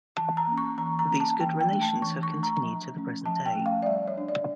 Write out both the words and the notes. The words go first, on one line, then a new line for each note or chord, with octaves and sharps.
These good relations have continued to the present day.
E3 A5
A#5
A#3 C#4
C#6
E3 A#5
A#5
A#3 C#4
A5
E3 G5
G5
A3 D4
A5
E3 C#6
C#6
A3 D4
A#5
F3
A3 C#4
F3 A5
G5
A3
C#4
F5
D5
G3 E5
C#5
D4
D5